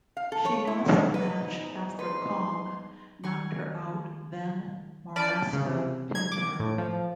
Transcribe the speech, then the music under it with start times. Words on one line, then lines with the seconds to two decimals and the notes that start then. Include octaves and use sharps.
She lost the match after Kong knocked her out then Morasca pinned her.
0.17 F5
0.32 A4
0.46 C#5
0.67 E4
1.14 E2 G#2 D#4 B4
1.99 B4 C6
3.24 D#3 G#5 C#6
5.16 C#4 B4 D5 A5
5.53 C#3
5.65 C3
6.15 G#6
6.32 D6
6.60 A2
6.78 F3